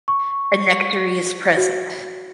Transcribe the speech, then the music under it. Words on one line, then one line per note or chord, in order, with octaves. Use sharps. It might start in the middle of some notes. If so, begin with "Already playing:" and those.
A nectary is present.
C#6
F#4